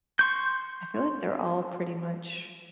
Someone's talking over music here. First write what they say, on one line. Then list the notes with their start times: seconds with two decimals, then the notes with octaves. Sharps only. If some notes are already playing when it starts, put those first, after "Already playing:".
I feel like they're all pretty much
0.19 C6 C#6 G6